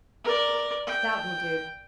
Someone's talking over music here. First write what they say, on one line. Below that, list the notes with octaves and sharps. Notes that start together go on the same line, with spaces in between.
That will do.
A#4 D5
G5